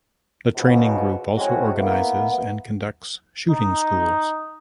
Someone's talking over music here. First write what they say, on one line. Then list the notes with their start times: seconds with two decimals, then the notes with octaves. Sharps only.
The Training Group also organizes and conducts shooting schools.
0.55 C#2 G#2 B2
1.37 A2 F#3 G#3 C4 C#4 F#4
1.79 A#3 B3 E4
3.50 D#4